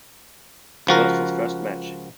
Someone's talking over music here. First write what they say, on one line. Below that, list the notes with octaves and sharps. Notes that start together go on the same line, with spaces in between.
He lost his first match.
C#2 F3 F#4 A#4